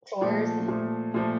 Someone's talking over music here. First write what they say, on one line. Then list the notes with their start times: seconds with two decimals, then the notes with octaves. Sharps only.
chores and
0.21 A#2 F3 A3
0.68 A#2 F3 A3
1.14 A#2 F3 A3